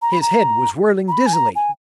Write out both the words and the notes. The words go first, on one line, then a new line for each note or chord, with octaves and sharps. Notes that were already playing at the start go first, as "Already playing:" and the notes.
His head was whirling dizzily.
A#5
B5
A#5
A#5
B5
G#5
A#5
G#5